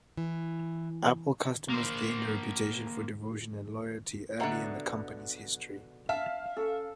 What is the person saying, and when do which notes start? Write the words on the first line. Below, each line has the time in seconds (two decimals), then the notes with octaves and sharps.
Apple customers gained a reputation for devotion and loyalty early in the company's history.
0.17 E3
1.70 A#3 C5
4.40 B2 D3 E5 F#5 A#5
6.09 E5 F5 A5
6.57 C#4 A4